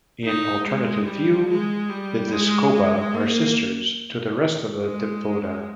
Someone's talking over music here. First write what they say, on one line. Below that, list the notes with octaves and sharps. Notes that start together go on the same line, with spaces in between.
In alternative view, the Discoba are sister to the rest of the Diphoda.
D#4
G#3
G3
G#3
G3
G#3
G#3
A#3
G#3